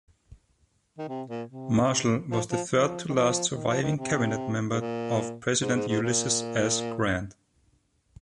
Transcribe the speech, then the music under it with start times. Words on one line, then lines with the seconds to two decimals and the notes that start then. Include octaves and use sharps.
Marshall was the third to last surviving cabinet member of President Ulysses S. Grant.
0.98 D#3
1.08 C3
1.28 A#2
1.49 C3
2.31 F3
2.51 F3
2.71 F3
3.09 D#3
3.14 F3
3.54 D#3
3.69 F3
3.81 D#3
3.96 C3
4.73 G#2
4.79 A#2
5.61 G#2
5.74 G#2
5.88 G#2
6.02 A#2